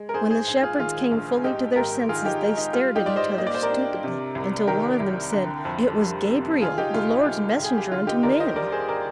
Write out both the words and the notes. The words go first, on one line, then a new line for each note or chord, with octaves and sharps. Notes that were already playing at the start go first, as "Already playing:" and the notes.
When the shepherds came fully to their senses, they stared at each other stupidly, until one of them said, "It was Gabriel, the Lord's messenger unto men."
Already playing: G#3
A#4
G#2 G#4 C5
G#4 C5
A#1
F4 G#4
D#3 F4 G#4
A#1
G#2 D#4 G4
G#1 G4 A#4
D#3 F4 G#4
D#4 G4
G#3 D#4
D#4
G3 F4
D#4 G4
G#2 D5
C5 D#5
A#3 D#5
D5
C5
A#4 D5
D4
C3
C2
D#3 G4 A#4
C2
D3
F2
G3
C4
C3 F4 G#4
D#4 G4
C2 F4
D#4
G3
C2 G#4
G4
D3 F4
D#4 G4
D#2 A#4 D5
C5 D#5
G3 A#4 D5
G#4 C5
A#4 D5